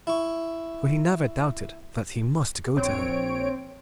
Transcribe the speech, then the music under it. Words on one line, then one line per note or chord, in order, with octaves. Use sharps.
For he never doubted that he must go to her.
E4 C#6
A#1 C4 C#5 D7